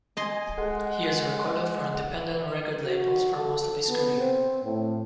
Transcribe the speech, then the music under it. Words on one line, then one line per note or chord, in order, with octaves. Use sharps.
He has recorded for independent record labels for most of his career.
D#5 G#5 C6
G#3 G#4 A4 F#5
F#4
A4
B3
C4
A2